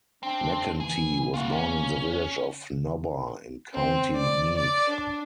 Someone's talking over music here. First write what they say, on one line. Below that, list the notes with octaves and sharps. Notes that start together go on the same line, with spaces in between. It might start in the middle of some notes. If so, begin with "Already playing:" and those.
McEntee was born in the village of Nobber in County Meath.
C4 D4
E3 G#4
A#3 F4 F#4
C#4
C4
D5
D5
D4